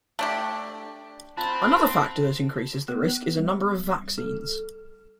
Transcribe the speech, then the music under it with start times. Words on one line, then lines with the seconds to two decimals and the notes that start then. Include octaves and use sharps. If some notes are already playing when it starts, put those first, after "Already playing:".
Another factor that increases the risk is a number of vaccines.
0.19 A3 D4 G4
1.38 C4 F4 A5 B5 F#6
1.62 F4
2.88 B3
3.37 G3
4.18 A4